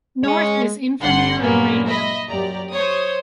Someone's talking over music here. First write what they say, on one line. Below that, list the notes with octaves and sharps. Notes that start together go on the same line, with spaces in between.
North is Invermere, Radium, and Golden.
G#3 C#5 G#5
G1 D3 G3 F#5 C6
G2 A#2 F#3 A#3 B3 C#4
D#5 E5 B5
F#2 G4 D5 A#5
C5 C#5 D#6